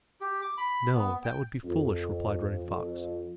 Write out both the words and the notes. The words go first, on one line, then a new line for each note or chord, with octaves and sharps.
"No, that would be foolish," replied Running Fox.
G4
D6
B5
B3
G5
F2
F2